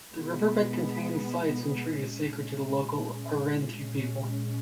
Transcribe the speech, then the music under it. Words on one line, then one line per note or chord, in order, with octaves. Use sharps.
The riverbed contains sites and trees sacred to the local Arrente people.
B2 G#3 B3
A#2 G#3 C#4
A#2 G#3 C#4